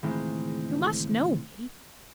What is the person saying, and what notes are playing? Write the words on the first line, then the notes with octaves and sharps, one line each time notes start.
You must know me!
C#2 A2 D#3 E3 G#3 C4